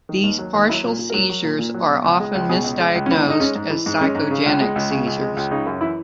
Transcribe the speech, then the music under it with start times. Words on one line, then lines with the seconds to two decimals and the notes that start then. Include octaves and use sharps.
These partial seizures are often misdiagnosed as psychogenic seizures.
0.09 D#3
0.24 D#2
0.39 F#3
0.54 D#2
0.69 F#3 E4
0.85 A#2
0.99 A#2
1.10 F#3 A#4
1.30 F#3
1.44 A#2
1.59 A#2
1.74 F#3
1.89 B2
2.04 C#2
2.20 G#3
2.35 C#2
2.49 B2 G#4
2.64 C#2
2.80 G#3
2.95 C#2
3.06 C#4
3.10 E3 B3
3.26 G#2 D#4
3.40 G#3 C#4
3.55 G#2
3.70 E3
3.86 G#2
4.01 G#3 C#4
4.15 G#2
4.31 C#3
4.46 C#2
4.61 G#3
4.76 C#2
4.90 C#3
5.06 C#2
5.21 G#3
5.37 C#2
5.51 C#3 D#4
5.67 F#2
5.81 E3 E4